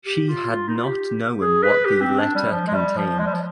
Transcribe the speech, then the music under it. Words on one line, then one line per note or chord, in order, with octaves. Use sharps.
She had not known what the letter contained.
G4
F4
F4
D#4
F4
G4
G#4
B4
G4
C4
D4
G3
F3
G#3
G3
F3
G#3
G3
F3